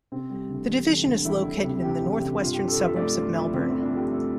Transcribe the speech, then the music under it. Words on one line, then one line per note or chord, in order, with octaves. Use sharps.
The division is located in the north-western suburbs of Melbourne.
C3 C4
G3
D2
E1
E1
D2
E1 E4
E1
C3
D2 G4
E1
C3
G2 F4
G4
G2
A4
F3 E5
A3 D5
G2 F4
F3 E4
G1 C4
F3 C4
D4
F3 G4
A3 A4